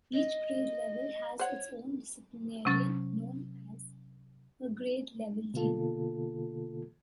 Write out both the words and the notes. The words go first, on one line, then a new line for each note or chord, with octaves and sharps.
Each grade level has its own disciplinarian known as a grade level dean.
D#5
C5 C#5 F#5
C3 F#3 C#4 A6
B2 D3 A#3 F4 A4